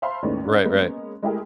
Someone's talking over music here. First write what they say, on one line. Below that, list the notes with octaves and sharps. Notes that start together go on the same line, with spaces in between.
Right, right.
C5 E5 F5 A5 B5 C6
D#2 A2 G#3 C#4 B4 D5
C#4 D4
G#3 A#3 B3 C#4
G#3 A3 E4 G4 G#4 A#4